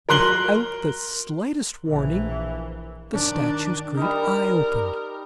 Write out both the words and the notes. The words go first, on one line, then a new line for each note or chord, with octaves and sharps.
Without the slightest warning the statue's great eye opened!
A#4 A#5 C6 F#6 F#7 G7
A#1 E3
D#3 D4
G3 D#4 A#4